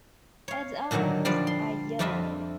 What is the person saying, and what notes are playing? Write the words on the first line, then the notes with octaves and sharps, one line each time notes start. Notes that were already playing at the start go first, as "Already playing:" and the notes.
Its eyes are yellow.
C#5 F5
A#2 D3 D#3 F#3 D4
F3 G3 D4 D5
C6
F2 G3 D4 F4 D#5 E5